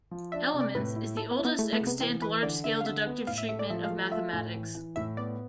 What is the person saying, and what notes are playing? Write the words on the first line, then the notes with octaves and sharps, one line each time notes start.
"Elements" is the oldest extant large-scale deductive treatment of mathematics.
F3
D4 E5
C3
D5
A2 B4
E4
E4 A4
B3
E4
B3
G#3 A3
A3
C3
B3
E3 C4
E3 B4
D3 D5
D3 E5
F5
D3 E5
B3
A2 F5
E5
A3 E5
D5
F3 E5
F5
A3
F4 E5
A2
E3
E3
A2 E5
B3 D5